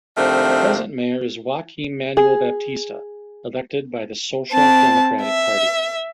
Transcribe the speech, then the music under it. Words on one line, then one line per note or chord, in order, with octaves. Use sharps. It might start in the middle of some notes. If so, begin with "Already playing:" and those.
The present Mayor is Joaquim Manuel Baptista, elected by the Social Democratic Party.
C3 D#3 F3 A3 C4 D4
G#4
C4 A5
E5